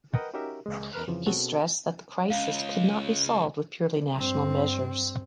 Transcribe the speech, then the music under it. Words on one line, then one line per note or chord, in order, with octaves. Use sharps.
He stressed that the crisis could not be solved with purely national measures.
A#4 B4 D#5 F#5 G5 G6
C#4 D#4 F#4 G4 A#4 E5
C#2 G#3
E2 A#4 B4 F6 F#6
F2 C#3 E3 F3
B2 C4 C#4 F#4 G#4 A4
C#2 F5
G2 C4